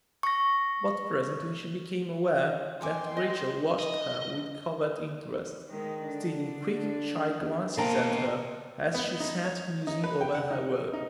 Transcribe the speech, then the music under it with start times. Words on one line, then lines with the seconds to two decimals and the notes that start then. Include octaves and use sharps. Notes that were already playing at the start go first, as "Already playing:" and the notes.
But presently she became aware that Rachel watched her with covert interest, stealing quick, shy glances at her as she sat musing over her work.
0.23 C#6 A#6
2.81 A4 G5 G#5 C6 D6
3.17 D#5
3.79 D#5
5.69 D#3 G#3
6.04 D3 D4
7.77 B2 A#3 C5 G5 A5 A#5
8.94 B3
9.20 D#4
9.45 C#5
9.87 D#4
10.04 B4
10.21 G5
10.35 F#5
10.51 D#4
10.93 D#4